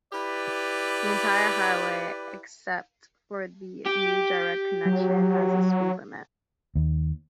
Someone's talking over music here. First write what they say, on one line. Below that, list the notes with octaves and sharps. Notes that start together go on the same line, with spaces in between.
The entire highway, except for the new direct connection, has a speed limit.
E4 G4 B4 D5
G4
F#3
D#2